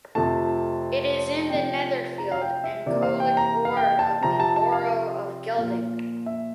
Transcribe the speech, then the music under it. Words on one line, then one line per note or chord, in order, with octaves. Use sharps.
It is in the Netherfield and Colwick ward of the Borough of Gedling.
F2 C3 F3 A3 A5
C3 F3 A3 C4 G5
A#5
F5
G5
E5
C3 E3 A#3 D5
F5
G5
A#5
F5
G5
A5
C3 F3 C4 A#5
A5
A5
F5
A#2 F3 A#3 F5
E5